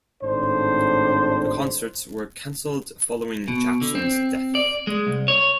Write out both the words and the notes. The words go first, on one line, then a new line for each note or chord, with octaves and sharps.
The concerts were cancelled following Jackson's death.
G#1 A2 D4 C5
B2
D3
C4
D5
G#3
C2
C#5